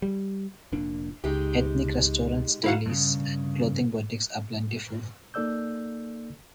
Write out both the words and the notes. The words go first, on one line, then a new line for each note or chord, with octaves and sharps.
Ethnic restaurants, delis, and clothing boutiques are plentiful.
G3
F1 A#2 D4
C#2 G#3 D#4 G4
D#3 E4 F#4 F5 F#5
G2 C#3
A#3 D#4 A4 D5 E6 G6